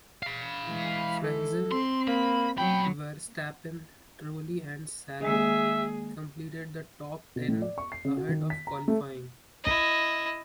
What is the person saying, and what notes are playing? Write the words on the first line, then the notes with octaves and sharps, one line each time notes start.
Frentzen, Verstappen, Trulli and Salo completed the top ten ahead of qualifying.
F5 B5
E3 G#3
A4
C4 C6
A#3 B5
B2 F#3 G5 B5
D#3 G#3 A#3 G#4 E5
B2
A2
D5
C#6
C7
C#3
F#4
D#3
B6
A#5
A3
E4 D#5